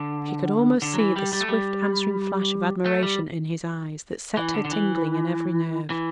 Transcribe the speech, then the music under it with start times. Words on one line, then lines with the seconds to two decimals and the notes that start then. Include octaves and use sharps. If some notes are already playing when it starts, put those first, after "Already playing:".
She could almost see the swift answering flash of admiration in his eyes that set her tingling in every nerve.
Already playing: D3
0.82 D3
0.94 F#3
0.99 E3
1.16 G3
1.33 G3
1.41 A3
1.49 G3
2.86 A3
3.03 G3
4.37 E3
4.54 D3
4.65 D3
4.71 E3
5.90 E3